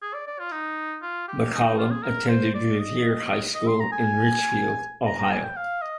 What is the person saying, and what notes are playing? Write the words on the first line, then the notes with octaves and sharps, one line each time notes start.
McCollum attended Revere High School in Richfield, Ohio.
G#4
D5
D5
F4
D#4
F4
G4
D#4
D#4
F4
G#4
A#4
C5
D5
D#5
D#5
C6
A#5
G#5
A#5
A#5
G#5
G5
F5
D#5